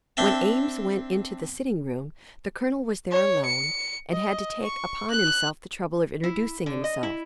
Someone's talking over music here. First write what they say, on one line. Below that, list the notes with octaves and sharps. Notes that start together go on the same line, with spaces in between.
When Eames went into the sitting-room, the colonel was there alone, and had to take upon himself the trouble of introducing himself.
C4 D4 E5 G5 A5
C#5
C#7
D#5
C#6
F#6
E4
D3
D#5
E4